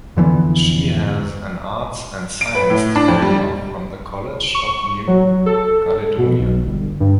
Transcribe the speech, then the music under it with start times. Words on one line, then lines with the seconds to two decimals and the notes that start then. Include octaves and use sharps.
She has an arts and sciences diploma from the College of New Caledonia.
0.17 F2 D3 E3 B3
2.41 D7
2.55 B4
2.70 A2
2.96 D4
3.08 F2
3.22 G3
4.55 C#6
5.07 F#3
5.46 A4
6.18 B2
6.39 B1
6.66 G1
7.00 G2